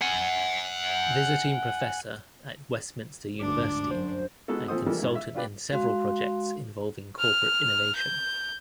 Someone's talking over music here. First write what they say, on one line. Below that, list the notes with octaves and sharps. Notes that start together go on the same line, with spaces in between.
Visiting Professor at Westminster University and consultant in several projects involving corporate innovation.
F#5 G#5
G1 D2 G#2 D4 D6
F#2 C5
G#3 B3 D#4 F#4 A4
A#2 F3 C4 A4 C5 D#6
E3 F3 G3 G#3 A#3 A4
G#2 E4
E5
D4 F4 G4 B4 D5
G#3 F#4 F5 C6
F6
G6